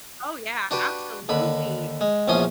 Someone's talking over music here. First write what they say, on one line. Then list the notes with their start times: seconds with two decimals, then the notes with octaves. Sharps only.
Oh, yeah, absolutely!
0.71 D4 F#4 G4 B4
1.29 D#2 D3 B5
2.01 G#3
2.28 A#1 E2 F3 C#4 C6 D#6